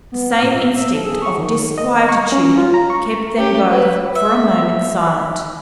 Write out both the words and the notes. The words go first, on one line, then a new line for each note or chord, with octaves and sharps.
The same instinct of disquietude kept them both, for a moment, silent.
B3
F6
A#2
E5
E6
A4
G#4
C#6
D#3
D#5
C#6
C#4
F4
A#5
C#6
C#4 G4
B4
E5